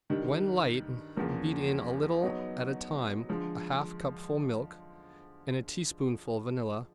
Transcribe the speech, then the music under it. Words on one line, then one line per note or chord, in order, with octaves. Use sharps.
When light beat in a little at a time, a half cupful milk and a teaspoonful vanilla.
G2 D#3 G3
E2 C#3 F3 A#3
F#3 B3 D#4
D3 F3 G#3